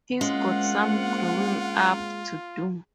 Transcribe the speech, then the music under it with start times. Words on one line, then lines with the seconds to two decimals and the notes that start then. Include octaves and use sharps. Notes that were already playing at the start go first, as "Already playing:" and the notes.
He’s got some growing up to do.
0.21 G#3 A#3 C4 C#4 F4 F#5